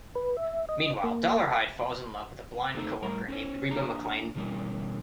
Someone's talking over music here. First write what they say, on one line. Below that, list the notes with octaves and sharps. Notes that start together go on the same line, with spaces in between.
Meanwhile, Dolarhyde falls in love with a blind coworker named Reba McClane.
B4
E5
D#5
A#3
A3 A#3 C4 D#4 F4 A4
A2 G3 A#4 A#5
C#4 C5 C#5
A#3 D4 A#5
B2 D3 E3 G3 A#3 C#4